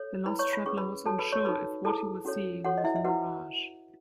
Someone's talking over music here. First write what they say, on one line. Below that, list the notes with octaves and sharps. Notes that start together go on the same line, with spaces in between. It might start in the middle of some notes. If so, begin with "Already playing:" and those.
The lost traveller was unsure if what he was seeing was a mirage.
Already playing: A4 C#5
E4 B4 B5
C#5 C#6
B5
C#4 G#4 B4 C#6
B4 B5
F#4 A4 C#5 A5
B4 B5
C#5 C#6
D#4 F#4 A4 B4 B5
E4 G#4 A4 B4 A5
C#4 F#4 A4 C#5
F#4 A4 C#5 F#5
D#5
E4 E5
E5
E4 F#4 B4 F#5